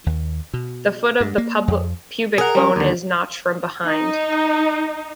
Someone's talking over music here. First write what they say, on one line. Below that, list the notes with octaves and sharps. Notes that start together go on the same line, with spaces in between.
The foot of the pubic bone is notched from behind.
D#2
B2
G2
A#3
F2
G#4 A#4 F#5
G3 C#4
D#2 D3
D#4